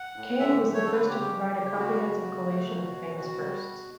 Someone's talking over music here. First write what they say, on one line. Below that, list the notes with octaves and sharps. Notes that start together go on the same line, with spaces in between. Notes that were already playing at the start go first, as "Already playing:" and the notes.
Kane was the first to provide a comprehensive collation of famous firsts.
Already playing: F#5
A2
D3 E5
A3
C#5
D3 A4
B4
C#3 G4
G3
C#3
E4
G3 F#4
C#3
C#3
A3
B2
B2
B2 F#4
G3
B2